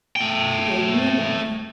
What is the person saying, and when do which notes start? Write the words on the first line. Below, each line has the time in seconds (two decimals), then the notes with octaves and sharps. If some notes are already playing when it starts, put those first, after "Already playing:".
'She gave me a knife.'
0.16 A3 G5